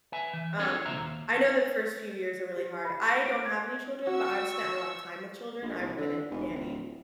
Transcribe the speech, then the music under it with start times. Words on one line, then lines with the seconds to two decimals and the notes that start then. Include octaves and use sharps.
Um, I know the first few years are really hard. I don't have any children, but I've spent a lot of time with children, I've been a nanny
0.12 B4 E5 G#5
0.33 E3
0.58 C4 D4 G#4 A4 B4 C#5
0.85 C2 A#2 D3 C5 E5 A#5
0.98 D#2
2.56 G4
2.85 B5
3.26 D7
3.46 G#6
4.07 F#4 C#6 E6
5.62 A#1
5.78 C2
5.97 D3
6.30 F1
6.50 D1